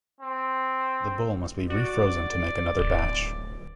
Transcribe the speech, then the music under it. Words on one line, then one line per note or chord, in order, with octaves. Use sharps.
The bowl must be refrozen to make another batch.
C4
F#4 D5
D1